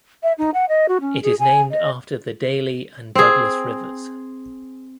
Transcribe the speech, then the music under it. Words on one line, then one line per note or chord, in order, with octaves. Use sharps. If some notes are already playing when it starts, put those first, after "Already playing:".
It is named after the Daly and Douglas Rivers.
E5
D#4
F#5
D#5
F#4
C#4
G#4
G#5
D#5
C4 G#4